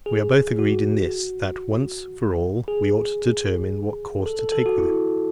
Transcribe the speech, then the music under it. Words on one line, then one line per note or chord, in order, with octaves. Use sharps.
We are both agreed in this, that, once for all, we ought to determine what course to take with him.
G#4
F#4
G#4
A4
A4
A4
F#4
E4